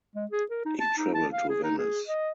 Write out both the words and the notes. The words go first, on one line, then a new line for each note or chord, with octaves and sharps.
He traveled to Venice.
G#3
G#4
A#4
D#4
A5
D#4
A5
F5
G#4
D#4
G#4
D#5